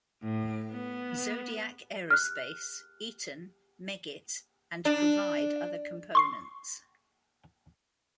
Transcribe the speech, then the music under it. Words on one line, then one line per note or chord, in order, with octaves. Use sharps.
Zodiac Aerospace, Eaton, Meggitt and provide other components.
A2
B3
F6 F#6
D4
C6 C#6 C7